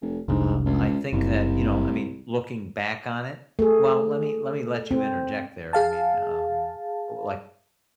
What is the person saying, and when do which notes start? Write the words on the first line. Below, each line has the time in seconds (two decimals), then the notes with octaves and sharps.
um, I think that, you know, I mean, looking back on it well, let me let me let you interject there. I mean, um, like,
0.01 F1
0.28 F1 C2 G#2 D4
0.66 C#2
1.13 F#1 C2
3.59 A3 G#4
4.91 C4
5.73 G#4 F5 A5